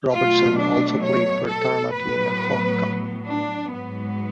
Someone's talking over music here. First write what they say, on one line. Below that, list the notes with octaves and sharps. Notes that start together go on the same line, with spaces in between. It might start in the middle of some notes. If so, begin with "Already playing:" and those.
Robertson also played for Taranaki in the Hawke Cup.
B2 F#3 A3 F4
D4
C#5
A4
A2 F#3 B3 B4
D4
G#2 F#3 B3